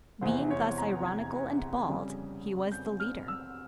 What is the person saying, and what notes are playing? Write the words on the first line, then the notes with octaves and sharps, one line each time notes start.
Being thus ironical and bald, he was the leader.
F1 E2 E3 C5
C#5
A#5
G#6
F2 C#3 G3
G6
F6
E6